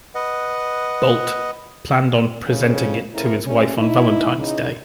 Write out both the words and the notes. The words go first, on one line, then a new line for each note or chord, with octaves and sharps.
Boldt planned on presenting it to his wife on Valentine's Day.
B4 D#5 F#5
F2 A2 C#3
F2 A2 C#3 E4 A#4
G3 A3 A#3 C#4
D#4 E4
C#3 E3 D#4